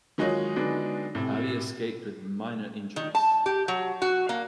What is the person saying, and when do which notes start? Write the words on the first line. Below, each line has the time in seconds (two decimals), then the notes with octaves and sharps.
Ali escaped with minor injuries.
0.18 D#3 F#3 G#3 D#4 F4 C#5
0.56 D3 F#3 G#3 B3 D4 D#4
1.15 A2 C3
2.96 D#3
3.15 A5
3.46 G4
3.68 F#3
4.02 F#4
4.29 A#3